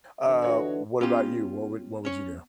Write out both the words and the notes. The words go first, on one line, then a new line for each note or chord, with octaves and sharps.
Uh, what about you? What would what would you do?
D3 E3
F#4 C#5 D#5
B3 C#4 F4 G4
C#4 C#5